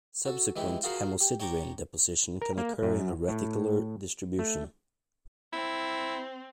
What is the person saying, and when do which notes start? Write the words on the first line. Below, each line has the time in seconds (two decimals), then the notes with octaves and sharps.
Subsequent hemosiderin deposition can occur in a reticular distribution.
0.25 F#4 A4
0.56 E3 G#3 E4 G4
0.83 F4 F#4 G#4 A#4 C5 F#5
1.20 G4
1.40 C#5 G5 A5 A#5 C#6 D6
2.42 A#4
2.58 A#3
2.82 F#2
3.28 A2
4.39 A3
5.53 C4 E4